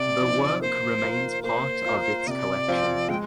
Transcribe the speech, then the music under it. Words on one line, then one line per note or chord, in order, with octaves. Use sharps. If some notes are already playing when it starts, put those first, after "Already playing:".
The work remains part of its collection.
Already playing: C3 D5
F3 C4 D#4
A#3 C5
F4 A#4
A#3 C5
F4 A#4
C3 D5 D#5
F3 C4 F4 C5
G#3 G5